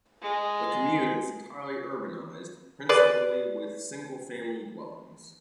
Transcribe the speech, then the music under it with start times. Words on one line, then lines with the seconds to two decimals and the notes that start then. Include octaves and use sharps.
The commune is entirely urbanized, principally with single-family dwellings.
0.22 G#3
2.89 G#4 B4 D5